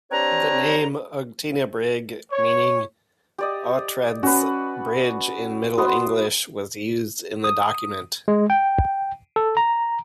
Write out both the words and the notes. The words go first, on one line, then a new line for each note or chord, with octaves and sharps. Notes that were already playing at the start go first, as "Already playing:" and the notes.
The name Ughtinabrigg, meaning Oughtred's Bridge in Middle English, was used in the document.
C4 D4 G4 B4 C#5 A#5
C#5
G4 D5 D#5
C#4 F#4 B4
B3 F#4 C6 D#6
D#6
G#3
G5
A4
A#5